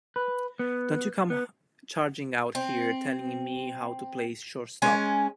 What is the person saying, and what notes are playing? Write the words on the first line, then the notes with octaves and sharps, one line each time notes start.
Don't you come charging out here telling me how to play shortstop.
B4
B3
B3
C4
G#3 C#4 G#5